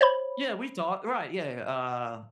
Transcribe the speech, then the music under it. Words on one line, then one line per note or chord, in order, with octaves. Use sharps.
Yeah. We talked right. Yeah, uh
C5 C#5 B5